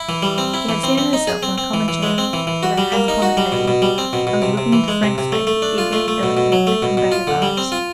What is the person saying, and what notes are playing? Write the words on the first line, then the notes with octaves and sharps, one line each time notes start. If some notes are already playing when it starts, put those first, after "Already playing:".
She had seated herself on a common chair, with her hands upon the table, and was looking into Frank's face with eager, eloquent, and combative eyes.
Already playing: E4
E3
G3
C4
E4
E3
C4
C4
D#4
G#4
C4
C4
E3
E3
G#3
C4
E3
E3
F#4
G3
A#3
D#4
F#4
G3
B2
B2
G3
C4
B2
B2
C3
C3
E3
G#3
C3
C3
A3
A3
D4
F4
A3
A3
B2
B2
F#3
A3
B2
B2
F4
D3
G3
C4
F4